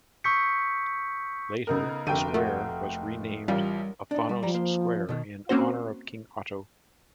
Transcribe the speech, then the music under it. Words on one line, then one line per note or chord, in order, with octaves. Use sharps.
Later, the square was renamed "Othonos Square" in honor of King Otto.
C#6 D#6 E6 G6 B6 C#7
C#3 B3 D#4 A4 A#4
F1 D3 A3 A#3 F#4 G5 D#7
A3 F5 F#5
A1 G3 F4 G4 A#4
D4 D#4
G3
F3 G3 A#5
A#3 C5
B2 D#3
A#3 C4 C#4 F#4 C5